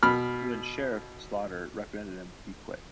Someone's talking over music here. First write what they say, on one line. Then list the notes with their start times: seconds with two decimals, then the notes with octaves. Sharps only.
When Sheriff Slaughter reprimanded him, he quit.
0.03 B2 B5 F6